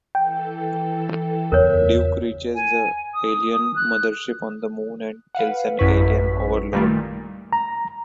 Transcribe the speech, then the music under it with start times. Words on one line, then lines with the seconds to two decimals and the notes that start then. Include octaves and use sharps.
Duke reaches the alien mothership on the Moon and kills an alien Overlord.
0.15 E3 A4 G5
1.52 F#1 E2 B3 A#4 C5 C#5 E5
2.55 G#5
3.14 D#6
3.76 F#6
5.35 B4 F5 F#5
5.79 A1 F#2 E4 B4 C#6 B6
6.73 A#2 D#3 G3 A3
7.53 A#5